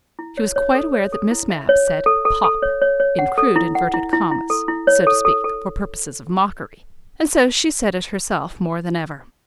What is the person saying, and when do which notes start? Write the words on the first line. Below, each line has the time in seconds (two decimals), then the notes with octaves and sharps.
She was quite aware that Miss Mapp said "pop" in crude inverted commas, so to speak, for purposes of mockery, and so she said it herself more than ever.
0.19 E4
0.37 C#5
0.56 C#5
0.75 A4
0.93 C#5
1.12 A4
1.31 E4
1.50 E5
1.69 C#5
1.88 C#5
2.06 A4
2.25 A4
2.44 A4
2.62 C#5
2.82 C#5
3.00 C#5
3.19 F#5
3.38 A4
3.56 E4
3.75 F#5
3.94 E4
4.13 E4
4.31 E4
4.50 A4
4.68 E4
4.87 C#5
5.07 A4
5.25 A4
5.44 A4